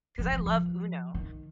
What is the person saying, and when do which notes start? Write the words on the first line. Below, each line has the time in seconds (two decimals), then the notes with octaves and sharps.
'cause I love UNO,
0.19 F3
0.32 F3
0.46 F3
1.14 D#3